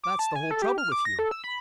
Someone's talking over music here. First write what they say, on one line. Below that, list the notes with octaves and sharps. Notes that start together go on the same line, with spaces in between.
That's the whole trouble with you!
D6
A5
G#5
A4
G4
F6
D6
A#6
A4
E6
B5